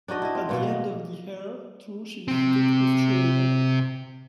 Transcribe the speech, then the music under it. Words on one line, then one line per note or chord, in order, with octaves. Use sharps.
At the end of the "Hair" tour she visited Australia.
D4 D#4 F#4 D#5
E4 D#5
C4
B2 A#3 B3
D#5
C3 C4